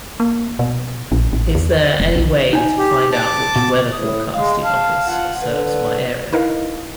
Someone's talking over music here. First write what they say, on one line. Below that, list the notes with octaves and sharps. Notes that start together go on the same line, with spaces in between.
Is there any way to find out which Weather Forecasting Office serves my area?
A#3
B2
A#1
A1
E2
F1
B1
D#4 G#5
G4
A5 D6
B2
A2 D#6
G#3 F5
F5 A5
F4 F#5
D3 B4
D#4 E4 A#4 B4 D#5 F5